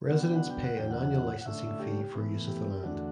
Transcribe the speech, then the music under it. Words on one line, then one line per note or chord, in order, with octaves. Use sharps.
Residents pay an annual licensing fee for use of the land.
B2 F#3 B3 D4 F#5
G5
F#5
G5
F#5
E2 D3 F#3 G5
F#5
F#5
D3 A3 C#4 E5
G4
A2 E3 B3
G4
E2 D3 A3 D4 F#4